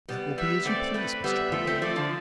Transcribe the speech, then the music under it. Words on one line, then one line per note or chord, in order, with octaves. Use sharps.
'That will be as you please, Mr Boffin.
G3 B3
G3 B3 E5
A3 C4 D5
A3 C4 B4
G3 B3 E5
F3 A3 E5
A3 C4
F3 A3 D5
D3 F3